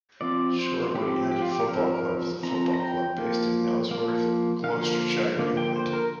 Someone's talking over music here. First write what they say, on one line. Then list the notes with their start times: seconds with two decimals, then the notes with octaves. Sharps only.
Shortwood United Football Club is a football club based in Nailsworth, Gloucestershire, England.
0.21 F3 C4 D5
0.59 C5
0.95 F3 C4 G4
1.31 G4
1.42 F4
1.52 G4
1.69 F3 C4 A#4
1.94 A#4
2.43 F3 C4 A#5
2.74 A#5
2.80 G5
3.17 F3 A#3
3.91 F3 A#3
4.64 D3 F3 A#3 F5
5.38 D3 F3 A#3
5.57 G5
5.76 C5
5.93 A#4